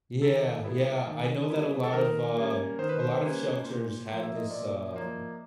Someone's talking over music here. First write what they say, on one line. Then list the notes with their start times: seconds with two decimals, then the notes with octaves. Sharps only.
Yeah, yeah, I know that a lot of, um, a lot of shelters had this, um
0.21 D#3 A4
0.64 G3 B3 E4
1.07 D#3
1.50 G3 B3 E4
1.84 A4
1.93 D#3 A#4
2.36 G3 A#3 C#4
2.79 D#3 C5
2.89 B4
3.00 C5
3.22 G3 A#3 C#4
3.65 A#2
4.07 F3 A#3
4.23 E5
4.36 D#5
4.50 A#2 D5
4.93 F3 A#3